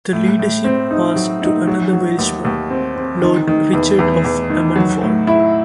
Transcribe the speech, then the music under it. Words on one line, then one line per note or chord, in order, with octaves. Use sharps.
The leadership passed to another Welshman, Lord Richard of Ammanford.
A2
A2
C4
D#4
F#3
D#4
F#3
F#3
D#2
D#2
C4
C4
D#3
D#3
E2
E2
E2
D#3
F#3
A2
E4